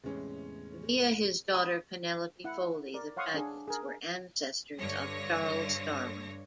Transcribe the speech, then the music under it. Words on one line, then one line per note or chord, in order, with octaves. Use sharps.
Via his daughter Penelope Foley the Pagets were ancestors of Charles Darwin.
E2 A2 C3 G#3 C#4
B5 D#6
E4 F#5
A#4 D5
C#5 F5 F#5 C6 C#6 D#6
D4 G#4
G#4 A#4
G2 D3 C#5 A#6